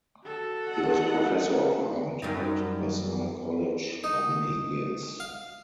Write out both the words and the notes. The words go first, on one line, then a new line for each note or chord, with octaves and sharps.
He was professor of art at Vassar College for many years.
F#4 A4
D#5 F#5
F#2 G3 D#4
D#4
F5